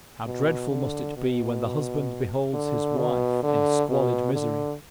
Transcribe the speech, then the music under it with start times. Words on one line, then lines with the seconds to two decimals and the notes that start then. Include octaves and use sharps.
How dreadful must it be when the husband beholds his wife in squalid misery.
0.26 B2
0.71 D3
1.17 B2
2.53 D3
2.98 B2
3.43 D3
3.89 B2
4.34 D3